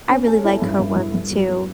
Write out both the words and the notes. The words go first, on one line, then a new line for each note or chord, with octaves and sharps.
I really like her work too.
C#4
A4
E4
G2
G2
G2
G2
F#3
F#3